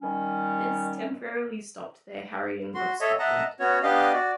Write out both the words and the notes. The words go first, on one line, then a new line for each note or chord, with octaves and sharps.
This temporarily stopped their harrying of Scotland.
D#3 G3 C#4
F#4 C6
A4 C#5 D#5 E5
D#5 E5 F#5 A5 A#5
B3 C#4 F#4 C#5
B3 D4 G4 D#5 F5
F#4 D5